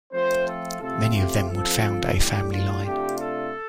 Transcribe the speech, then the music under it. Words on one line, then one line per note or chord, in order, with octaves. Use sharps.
Many of them would found a family line.
F3 A3 C4 F4 C5
A4
C3 A3 C4 F4 A4
G4
F3 C4 F4 A4
A4
A2 G3 D4 G4
F4
C3 A3 D4 F4 G4
A4